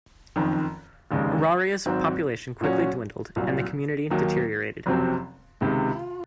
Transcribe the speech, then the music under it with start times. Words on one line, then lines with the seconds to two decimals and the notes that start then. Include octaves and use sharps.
Auraria's population quickly dwindled, and the community deteriorated.
0.36 F#1 F2 D#3
1.11 F1 D#2 C#3 G#3
1.86 G#1 G#2 F#3 C4
2.61 A#2 F#3 C#4 F#4
3.36 C2 A#2 F#3
4.10 D#2 D#3 F#3 A#3
4.86 F#1 F2 C3 F#3 C4
5.61 C#2 C3 D#3 G#3